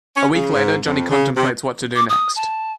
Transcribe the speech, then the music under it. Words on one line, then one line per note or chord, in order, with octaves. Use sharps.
A week later, Johnny contemplates what to do next.
C#4
C#3
G#2
F2
C#3
C3
D6
D#6
A5